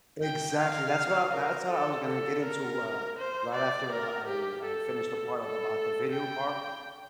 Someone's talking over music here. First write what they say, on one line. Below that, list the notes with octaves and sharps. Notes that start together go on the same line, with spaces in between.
exactly. That's what I that's what I was gonna get into, uh, right after I I I finished the part of about the video part.
G5
F5
A#4
A4
A4
A#4
C5
D5
A#4
G4
A4
A4
G5